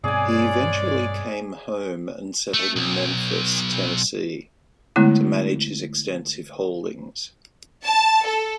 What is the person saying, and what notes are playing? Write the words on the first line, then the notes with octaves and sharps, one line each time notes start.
He eventually came home and settled in Memphis, Tennessee, to manage his extensive holdings.
G2 B2 G#3 C4 G#4 C#5 D5 G#5
A3
B1
D3 G#3 A3 B3 E4
A5
A4